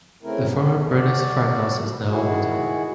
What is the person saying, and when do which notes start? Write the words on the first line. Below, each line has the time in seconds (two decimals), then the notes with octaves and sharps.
The former Byrness farmhouse is now a hotel.
0.23 C#3 A3 C4 E4 A#4
0.48 B3
0.90 F#4 D5
2.10 D#3 E4 F#4 G#4